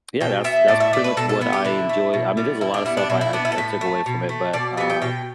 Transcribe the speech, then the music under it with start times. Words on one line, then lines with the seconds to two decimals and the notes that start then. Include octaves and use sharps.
yeah, that's that's pretty much what I enjoy I mean, there's a lotta stuff I I I took away from it, but, uh,
0.20 B2 G5
0.44 B3 E5
0.68 A2 D5
0.80 E5
0.93 A3 D5
1.04 B4
1.17 B2 A4
1.29 A4
1.41 B3 E4
1.53 G4
1.64 D3 E4
1.89 A3
2.14 B2
2.37 G3 B3
2.61 D3 E4
2.74 D4
2.85 G3 B3 E4
2.97 D4
3.09 B2 E4
3.21 E4
3.33 B3 D4
3.45 E4
3.52 A4
3.58 A2 B4
3.81 A3
4.06 B2
4.29 A3
4.53 B2 D5
4.77 G3 B3 B4
4.90 G5
5.02 B2 G5